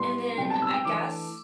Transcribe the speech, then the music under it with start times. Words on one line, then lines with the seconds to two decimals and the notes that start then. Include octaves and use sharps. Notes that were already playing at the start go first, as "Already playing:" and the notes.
and then I guess
Already playing: A2 G3 B3 C6
0.38 B2 G3 C4 G5
0.50 A5
0.62 E6
0.73 G5
0.85 E3 A3 D4 D6